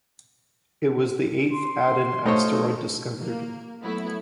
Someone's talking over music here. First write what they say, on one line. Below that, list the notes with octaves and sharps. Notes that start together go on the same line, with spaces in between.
It was the eighth Aten asteroid discovered.
C6
A3 D#4 F4 A4 C5 C#5
A#3
F#3 A3 B3 E4